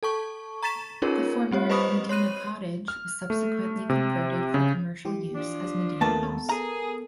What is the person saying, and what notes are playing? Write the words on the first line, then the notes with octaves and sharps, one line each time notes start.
The former "Medina Cottage" was subsequently converted for commercial use as "Medina House".
A4 A5 C#6
A#5 C#6 A6 B6 E7
C#4 D#4 F4 G#4 A#4 C#5
G3 C4 G4 C#5
B4 C5 D#5 B5 C#6 D#6
C#5 C6 F#6 D#7
F6
A3
C3
C#3
E3 G4
F3 D4
D#2 A3 B3 A4 A#4 A5
G#4 A#5